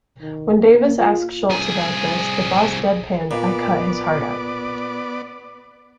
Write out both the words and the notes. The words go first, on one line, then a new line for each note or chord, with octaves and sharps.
When Davis asked Schultz about this, the boss dead-panned, I cut his heart out.
D#3
A#3
F4
C2 G#4
A#2 B3 D5